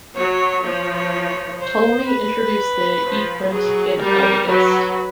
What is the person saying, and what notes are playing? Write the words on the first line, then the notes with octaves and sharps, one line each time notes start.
Ptolemy introduced the equant in "Almagest".
F#3 C#5
F3 C#5
C5
B4
F3
F#3 G#4
G3 A#4
F#3 B4